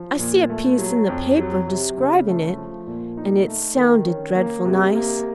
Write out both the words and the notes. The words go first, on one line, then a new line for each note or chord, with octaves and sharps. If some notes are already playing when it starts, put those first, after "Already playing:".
I see a piece in the paper describing it, and it sounded dreadful nice.
Already playing: F3
A#2
A3
F#3
F2
F#3
C3
C#3
A3
F3
A#2
D#4
A3
D#3
C#4
A#3
C3
A#3